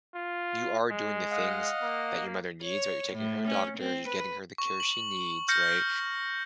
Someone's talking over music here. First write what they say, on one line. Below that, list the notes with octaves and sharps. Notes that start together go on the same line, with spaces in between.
you are doing the things that your mother needs, right? You're taking her to doctors, you're getting her the care she needs, right?
F4
G#3
D#5 F5 F#5
A#3
C#5
A2
C#4
C4
B4
C#6
F#7
F6 G6 A#6 C#7